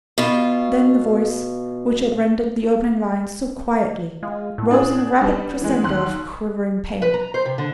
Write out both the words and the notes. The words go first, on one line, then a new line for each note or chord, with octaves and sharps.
Then the voice, which had rendered the opening lines so quietly, rose in a rapid crescendo of quivering pain.
B2 F4
G#3 F4
A2
D4 G#4 D#6
G3 B3 D4
E3 G#3
D#2 C6 F#6
B4
A#5
C5
C3
D3